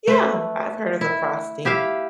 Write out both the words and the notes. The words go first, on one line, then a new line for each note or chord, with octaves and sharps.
Yeah, I've heard of the frosty.
A3 B4
E4
E4 G4 E5 F5